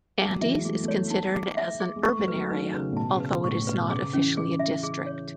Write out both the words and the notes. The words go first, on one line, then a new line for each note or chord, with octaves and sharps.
Andes is considered as an urban area, although it is not officially a district.
G#3 G#4
F#3
E3 E5
G#3
A3 G#4
A3
B3 C#5
D#4
G#4
E5
G#4
G#3
A3 C#6
F#3
B4
F#3
D#3 B4
C#3 B4
A2
B2 A5
C#3
B4
B2
A2 C#6
B2 B4
B2
C#3 G#4
E3 C#4
G#4
E5
G#4
C#5